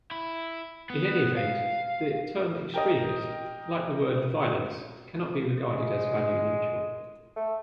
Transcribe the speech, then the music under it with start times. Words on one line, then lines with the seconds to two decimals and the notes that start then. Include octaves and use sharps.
In any event, the term extremist-like the word violence-cannot be regarded as value-neutral.
0.11 E4
0.90 B3
1.37 F5
2.74 G4 A#4 D#5
5.68 G#3
7.36 A3